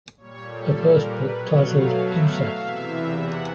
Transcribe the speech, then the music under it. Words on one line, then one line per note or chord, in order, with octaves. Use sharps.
Her first book, titled “Incest”.
A#2 G3 C#5
A4
A#4
B4
B2 F#3 A3 C#5
F5
E5
F5
E2 C3 E3 E5
E5
F#5